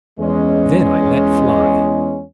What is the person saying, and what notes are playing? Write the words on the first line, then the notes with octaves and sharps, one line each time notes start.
Then I let fly....
E2 G#3 C#4